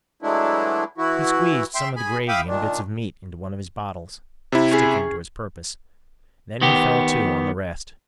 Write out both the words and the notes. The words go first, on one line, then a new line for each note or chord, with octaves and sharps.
He squeezed some of the gravy and bits of meat into one of his bottles, sticking to his purpose; then he fell to on the rest.
E3 F#3 G#3 A3 D4 E4
E3 E4 F#4
E5 G5 C6
G#4 G#5 B5
E5 F5 G5 B5 D6 D#6
A#2 D#3 D4
C3 E4
C#4 G#4
D#3 B3 G4